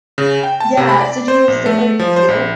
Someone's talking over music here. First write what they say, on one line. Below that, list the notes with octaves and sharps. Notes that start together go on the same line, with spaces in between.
Yeah. So do you sit at, like, a computer?
C#3
G5
A5
C3
B5
D5
C5
A#1
A3
F3
C5
A#1